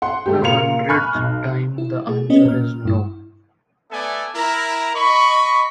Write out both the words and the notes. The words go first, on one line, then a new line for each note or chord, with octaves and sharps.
For the hundredth time, the answer is no.
F#5 C6
G#3 A3 G4
A#2 A#4 F5 C#7 F7
G#5 B5 C#6 F6 F#6
B1
E4
A3 G#4
B3 C#4 D#5
A#2 F6
G2 E4
A3 B3 A4 D5 E5 G#5
E4 A#4 A#5
D#5 B5 C#6